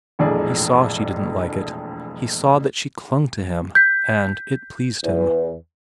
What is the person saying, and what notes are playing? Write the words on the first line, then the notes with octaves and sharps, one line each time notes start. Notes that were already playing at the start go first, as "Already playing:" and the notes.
He saw she didn't like it; he saw that she clung to him; and it pleased him.
E1 A#1 F2 A2 G#4 D5
G6 B6
E2